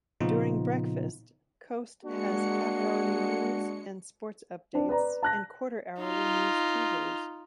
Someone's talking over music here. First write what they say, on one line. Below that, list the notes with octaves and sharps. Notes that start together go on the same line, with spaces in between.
During breakfast Coast has half-hourly news and sports updates and quarter-hourly news teasers.
A#2 C#3 F3 B3 D#4 F4
G#3 A#3 D4 F#4 C#7
C4 D4
B4 D5 A#5
A5 F#6 A#6
D#4 F4